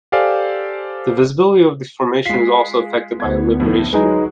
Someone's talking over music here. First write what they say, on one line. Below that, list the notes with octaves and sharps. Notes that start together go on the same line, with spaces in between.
The visibility of this formation is also affected by libration.
G4 A4 C5 D5 F5 G#5
G#3 F4 B6 C7
D2 B3 G#6
F2 A2 D#3
F#3 G#3 D#4 G#4 B4